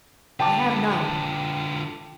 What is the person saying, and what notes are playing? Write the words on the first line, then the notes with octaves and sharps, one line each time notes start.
"I have none."
D3 F4 G5 A5 D6